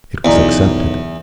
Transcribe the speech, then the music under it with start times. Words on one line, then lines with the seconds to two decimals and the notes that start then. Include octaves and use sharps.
It was accepted.
0.25 B1 E2 D5 D#5 A#5